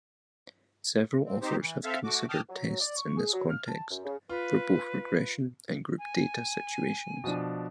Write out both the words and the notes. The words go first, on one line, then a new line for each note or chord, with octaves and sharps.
Several authors have considered tests in this context, for both regression and grouped-data situations.
C4
C4 D#4 G4 C5
E3
C4 A4 E5 F5
A3 F#4 D6
G5 A5 D6 D#6 F6
F#3
D5
C#6
G#4
F#3
F6
A5
F#2
C#3
F4 B4
G#5
B2 F3 D4